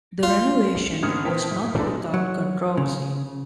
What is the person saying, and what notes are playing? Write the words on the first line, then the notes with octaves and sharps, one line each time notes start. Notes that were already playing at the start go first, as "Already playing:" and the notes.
The renovation was not without controversy.
F4
G#1 D3 D#6 F6 G#6 C#7
A#2 E3 C4 G5 A5 B6
F#1 A2
G#3 B3 D4 D#4 F#4 A4
F#3
C#3